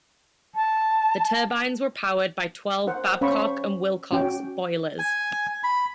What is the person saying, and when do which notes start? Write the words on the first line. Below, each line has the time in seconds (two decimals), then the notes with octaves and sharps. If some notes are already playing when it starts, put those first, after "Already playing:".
The turbines were powered by twelve Babcock and Wilcox boilers.
0.55 A5
2.87 A#4 C5 F#5
3.21 C#4 C5 F5 B5 C#6
4.12 C#4 F#4 G5 D6
4.99 G#5
5.63 B5